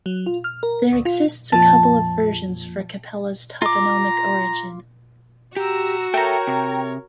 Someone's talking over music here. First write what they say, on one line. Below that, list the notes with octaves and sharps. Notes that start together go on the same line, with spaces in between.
There exists a couple of versions for Capela's toponomic origin.
F#3
F4
F6
A#4
D2
F4
F2 A#2 F3 A5
F4 A#5 D6
F#4 G4 A#5 E6
A4 A#4 C#5 E5 G5 A#5
C3